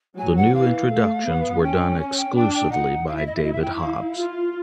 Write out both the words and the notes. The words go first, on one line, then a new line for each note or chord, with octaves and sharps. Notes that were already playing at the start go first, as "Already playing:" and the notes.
The new introductions were done exclusively by David Hobbs.
F#3 G#5
F#5
E3 F5
A3
B3
C#4 G5
G#5
G5
D4 G5
G5
D#4 F#5
E4 F5
E5
D#5
E5
D#5
E5
G5
F5
F4